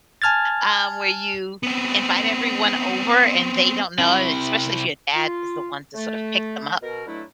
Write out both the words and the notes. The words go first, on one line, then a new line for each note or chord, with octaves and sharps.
um, where you invite everyone over and they don't know, and especially if your dad is the one to sort of pick them up,
G#5 A5 F6 G#6 A6
B3 C4
C3 E4
F4
A3
B2 A#4
B2 D3 F#3 A3 D4 E4